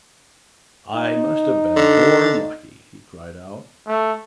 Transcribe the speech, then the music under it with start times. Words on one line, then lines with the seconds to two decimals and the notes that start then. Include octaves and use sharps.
"I must have been born lucky," he cried out.
0.94 D#4
1.76 D3
3.87 A3